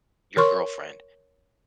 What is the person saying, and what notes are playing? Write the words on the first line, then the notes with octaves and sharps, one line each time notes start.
your girlfriend,
A#4 C#5 C6 C#6